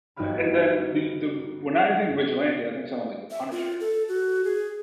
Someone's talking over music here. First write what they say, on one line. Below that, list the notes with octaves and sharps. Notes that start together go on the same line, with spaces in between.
uh, and then the the When I think vigilante, I think someone like the Punisher,
G1 D#4 F#4 B4 F5 B5
E5
F4
A4
F#4
G#4